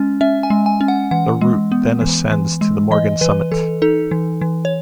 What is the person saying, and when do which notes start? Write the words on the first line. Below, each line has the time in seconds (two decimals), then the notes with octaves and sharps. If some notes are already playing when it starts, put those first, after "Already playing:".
The route then ascends to the Morgan Summit.
Already playing: G#3 C#4
0.21 C#4 E5
0.43 G#5
0.50 G#3
0.66 G#5
0.81 C#4
0.88 F#5
1.11 E3 F#5
1.41 G#3
1.72 B3
2.01 E3
2.31 E3
2.61 G#3
2.91 E3 D#5
3.21 E3 B4
3.52 E3 A4
3.82 D#4 A4
4.11 E3
4.41 E3
4.65 C#5